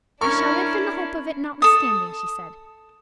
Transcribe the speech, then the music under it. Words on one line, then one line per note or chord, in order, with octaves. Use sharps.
"I shall live in the hope of it, notwithstanding," she said.
C#4 D4 E4 A#4 C#6
A4 D#6